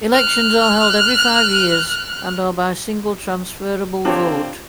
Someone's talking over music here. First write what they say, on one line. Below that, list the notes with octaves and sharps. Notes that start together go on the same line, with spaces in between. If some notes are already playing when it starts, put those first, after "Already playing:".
Elections are held every five years and are by single transferable vote.
F6 F#6
D3 A#3 C4 D4 F4 G4 C#5